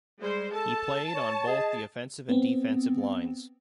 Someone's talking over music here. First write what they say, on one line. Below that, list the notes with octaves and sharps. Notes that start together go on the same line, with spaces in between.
He played on both the offensive and defensive lines.
G3 G#3 C5
A4 A5
C#5
G#4 D#5
B3 C4